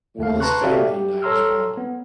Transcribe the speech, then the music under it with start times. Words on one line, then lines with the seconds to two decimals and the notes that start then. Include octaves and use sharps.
Will this family unite as one?
0.19 D#2 A3 A#3 F5
0.40 B4 A5 A#5 C6 C#6 F#6
0.64 F#4 G4 A4 D5 E5 F5
0.91 G4
1.22 A4 C#5 A#5 C6 E6 F6
1.77 B3